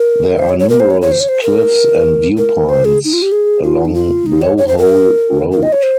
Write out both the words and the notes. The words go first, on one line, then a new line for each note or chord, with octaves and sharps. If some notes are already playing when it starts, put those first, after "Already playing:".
There are numerous cliffs and viewpoints along Blowhole Road.
Already playing: A#4
C5
C#5
C#5
A#4
C5
C#5
C#5
C5
C#5
C5
A#4
A#4
C5
G#4
D#4
F4
G4
G#4
F4
D#4
F4
D#4
C#5
C#5
C5
A#4
A#4
D#5
C#5
C5